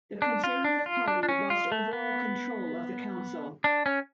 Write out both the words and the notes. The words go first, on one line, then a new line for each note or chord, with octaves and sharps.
The Conservative Party lost overall control of the council.
D4
F4
D4
F4
D4
D4
C#4
F4
A3
B3
D4
C#4